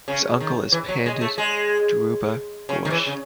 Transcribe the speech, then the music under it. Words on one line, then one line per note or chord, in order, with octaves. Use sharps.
His uncle is Pandit Dhruba Ghosh.
C#3
D#3
E3
F#3
G#3
A3
G#3
C#3
D#3
E3
C#3